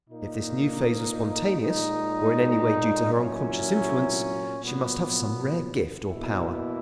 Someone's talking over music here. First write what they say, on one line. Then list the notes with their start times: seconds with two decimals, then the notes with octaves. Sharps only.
If this new phase was spontaneous, or in any way due to her unconscious influence, she must have some rare gift or power.
0.10 A#2 A#3 D#4
1.60 A#2 G#3 D#4
3.11 A#2 F#3 C#4 E4
4.61 A#2 F#3 B3
6.09 B2 A#3 E4